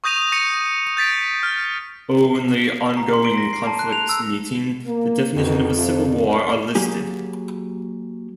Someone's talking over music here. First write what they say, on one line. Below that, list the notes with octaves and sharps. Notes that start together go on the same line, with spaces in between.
Only ongoing conflicts meeting the definition of a civil war are listed.
C#6 D#6 G6 A#6 D#7 F7
C#6 A#6 C#7 D#7
G6 A6 B6 D7
F6
A#5
C6
D7
A#6
C7
A5
F#6
F7
E6
A#3
F2 B2 D#3 E3
C3 F3 F4
D4
F#3 A#3 G4 G#4